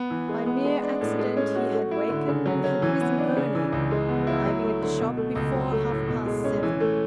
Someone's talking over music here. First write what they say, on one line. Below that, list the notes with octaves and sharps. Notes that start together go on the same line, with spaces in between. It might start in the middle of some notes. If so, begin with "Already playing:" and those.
By mere accident he had wakened and had risen early, arriving at the shop before half-past seven.
Already playing: B3
E3
G#3
B3
G#3
D4
A2
G#3
C#4
F#4
A3
E4
D3
C#3
F#3
C#4
E3
B3
D4
C#3
E3
C#2
G#3
B3
E4
F#3
A3
D3
B2
A3
C#2
F#3
A3
A2
B2
G#3
C#4
E3
A3